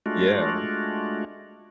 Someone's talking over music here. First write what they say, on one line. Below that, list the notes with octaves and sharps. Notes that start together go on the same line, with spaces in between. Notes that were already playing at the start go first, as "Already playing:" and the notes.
Yeah, like
G#3 A3 D4 F4 F#4